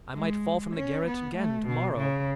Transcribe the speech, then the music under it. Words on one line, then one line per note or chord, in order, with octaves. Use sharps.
I might fall from the garret again to-morrow.
G#3
C#4
B3
A3
B2
C#3